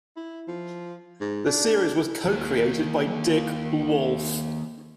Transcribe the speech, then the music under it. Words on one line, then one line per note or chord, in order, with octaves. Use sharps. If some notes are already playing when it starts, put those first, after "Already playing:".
The series was co-created by Dick Wolf.
E4
F3
G#2
D4
D#3 A#3